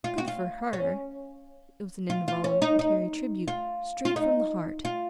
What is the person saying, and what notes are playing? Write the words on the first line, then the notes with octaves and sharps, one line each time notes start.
"Good for her!"--it was an involuntary tribute, straight from the heart.
F4
F#4
F4
C#4
F4
F4
C#4
D#4
D#4
F4
F4
D#4
F4